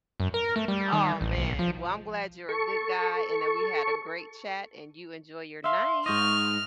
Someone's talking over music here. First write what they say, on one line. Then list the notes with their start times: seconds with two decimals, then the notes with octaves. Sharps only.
Oh, man. Well, I'm glad you're a good guy and that we had a great chat, and you enjoy your night.
0.20 F#2
0.34 A#4
0.56 A3
0.68 G3
0.93 D#3
1.21 A1
1.37 B1
1.59 F3
2.49 A4 C#6
5.64 E5 F5 C6
6.06 G#2 C5 D#5 C#6 F6